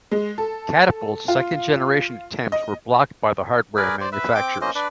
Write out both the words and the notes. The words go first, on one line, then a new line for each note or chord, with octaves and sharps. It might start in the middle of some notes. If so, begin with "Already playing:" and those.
Catapult's second generation attempts were blocked by the hardware manufacturers.
G#3
A4
F4
D#5
G#4 A#4 B4 D5
C5 D5
B4 E5
C4 G5 D6
A#3 C#4 C5 D#5
D4 B4 D5